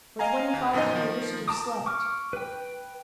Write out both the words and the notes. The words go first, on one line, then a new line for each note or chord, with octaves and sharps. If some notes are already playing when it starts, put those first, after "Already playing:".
For twenty-five years you have slept.
D#5 F5 G#5 A#5
D#2
F#2 A#2 F3 D#4 D#5
D#3 F3
A5 A#5 D6 D#6
C#6 D6 F6
B4 G5